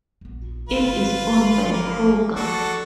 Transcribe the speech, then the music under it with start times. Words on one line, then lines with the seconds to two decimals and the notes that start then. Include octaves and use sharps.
It is owned by Kroger.
0.21 A#1 B3
0.69 G1 D#3 F4 B4
1.72 A#3
2.36 F3 D4 F#4 A4